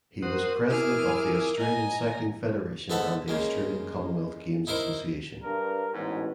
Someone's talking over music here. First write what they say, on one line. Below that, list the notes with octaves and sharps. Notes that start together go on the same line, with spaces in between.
He was President of the Australian Cycling Federation and the Australian Commonwealth Games Association.
F#4 A#4 C5 D#6
E4 G#4 D6 D#6 F6
D#5 G#5 A#5
G#2 B3 A4 E5 B5
C#3 G#3 A#3
D#4 E4 A#4 C5
G2 A#4
A1 G#2 B2